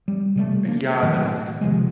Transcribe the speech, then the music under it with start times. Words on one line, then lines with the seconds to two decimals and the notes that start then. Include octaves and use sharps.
Yeah, that is c
0.08 G3
0.36 C3 G3 A3
0.68 A#3
1.02 A2 D#3 F#3 A3
1.61 C3 D#3 F3 G#3